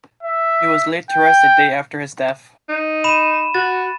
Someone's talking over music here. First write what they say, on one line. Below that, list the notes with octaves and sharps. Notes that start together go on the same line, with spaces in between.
He was laid to rest a day after his death.
E5
G5
D#4
B5 D#7 E7
F#4 A6